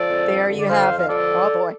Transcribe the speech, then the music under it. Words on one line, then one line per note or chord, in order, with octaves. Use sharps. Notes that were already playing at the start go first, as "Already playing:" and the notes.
There you have it. Oh, boy.
Already playing: F3 A4 D5
F2
G2
D3
D5
F2 C5 F5
F2
F5
F3 A4 D5